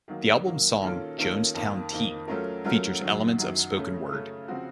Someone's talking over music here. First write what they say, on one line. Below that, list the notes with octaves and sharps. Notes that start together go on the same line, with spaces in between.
The album's song "Jonestown Tea" features elements of spoken word.
D#3 F#3 A#3
D#3 F#3 A#3
D#3 A#3 C#4 F4 A4
D#3 A#3 C#4 F4 A4
F2 D#3 A#3
F2 D#3 A#3
F#3 A3 C#4 F4 A#4
F#3 A3 C#4 F4 A#4
F#2 D#3 F#3
F#2 D#3 F#3
C#3 A3 C#4
C#3 A3 C#4
C#3 F3 C4 F#4